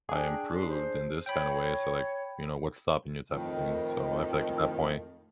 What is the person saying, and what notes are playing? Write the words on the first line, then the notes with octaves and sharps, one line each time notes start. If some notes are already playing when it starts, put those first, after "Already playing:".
I improved in this kinda way, so, like" you know, what's stopping you type of thing. So I feel like at that point,
D4 G#4 G5
C6
C5
C#5 G5 B5
F2 A2 D#3